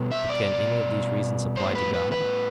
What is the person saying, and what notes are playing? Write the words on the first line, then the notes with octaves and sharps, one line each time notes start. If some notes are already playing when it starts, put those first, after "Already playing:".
But can any of these reasons apply to God?
Already playing: B2 G3 B3
E5
D5
A2 G3 B3 C5
B4
B4
B4